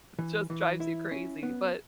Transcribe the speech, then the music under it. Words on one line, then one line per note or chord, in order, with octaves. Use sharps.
just drives you crazy, but
E3
E3
E4
C#4
B3